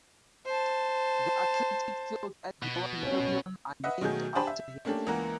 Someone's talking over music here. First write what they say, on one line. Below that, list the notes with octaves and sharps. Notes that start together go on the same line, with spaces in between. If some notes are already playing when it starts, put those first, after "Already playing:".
The athletic fields at Lower Merion are named after him.
C5 A5
B2
C#4
B4 D#5 E5 F#5
B2 D#3 F#3 A3 G#4 G6
D4 G4 C5 G#5 A5 B5
E5
A3 A#3 C#4 D4 G4 A4
C#2 E3 A#3 A#4 F#5 A#5